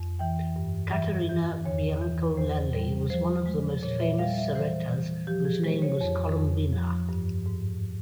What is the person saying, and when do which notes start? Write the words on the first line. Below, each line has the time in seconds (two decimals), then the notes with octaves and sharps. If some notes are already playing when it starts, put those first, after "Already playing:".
Caterina Biancolelli was one of the most famous serettas whose name was Colombina.
Already playing: F2
0.19 E3 G5
0.56 G2
0.92 E3 E5
1.29 E3
1.65 E2 C#5
2.01 E3
2.37 E2 C5
2.74 G3
3.10 F3 C5
3.46 G#3
3.83 A#2 C#5
4.00 E5
4.19 G3 F5
4.38 E5
4.55 E3 C5
4.91 E3
5.27 F3 G4
5.45 G#4
5.64 G#3 C5
5.82 C#5
6.01 F2 C#5
6.36 F2
6.73 F3
7.09 G2
7.46 G#2